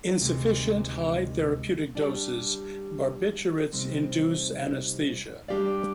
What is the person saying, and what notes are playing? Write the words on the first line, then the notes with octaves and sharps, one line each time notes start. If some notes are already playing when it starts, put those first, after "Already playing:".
In sufficiently high therapeutic doses, barbiturates induce anesthesia.
D2 C3 D#3 G#3
G3 D4 G4 D5
C3 G3 C4 D#4
G3 D4 G4 D5 F5